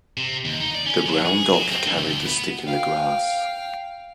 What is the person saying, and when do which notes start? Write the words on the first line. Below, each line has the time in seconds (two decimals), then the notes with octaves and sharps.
The brown dog carried the stick in the grass.
0.17 C3
0.45 D#2
0.60 D#4
0.74 D5
0.86 C#4
1.06 F#3
1.25 G#4
1.53 F#3
1.72 C4
1.85 A3
1.97 D2
2.26 B3
2.64 F5 G5